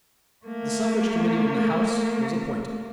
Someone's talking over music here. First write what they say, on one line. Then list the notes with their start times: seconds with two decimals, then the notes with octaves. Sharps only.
The Suffrage Committee in the House was appointed.
0.46 A3 A#3